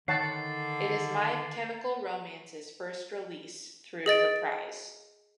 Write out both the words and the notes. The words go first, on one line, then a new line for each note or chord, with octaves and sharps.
It is My Chemical Romance's first release through Reprise.
D3 D#3 C#5 F#5 A5 A6 C7
G#4 D#5 A6 D7